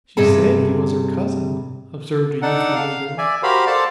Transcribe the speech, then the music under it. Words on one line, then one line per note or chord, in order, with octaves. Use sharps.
"She said he was her cousin," observed a youthful new girl.
G2 C3 G#4 A4 A5
D4 D#4 A4 F#5
F5
D5 E5 G#5
F#4 G4 A#4 C5 F5 B5
A4 C5 D5 F5 A5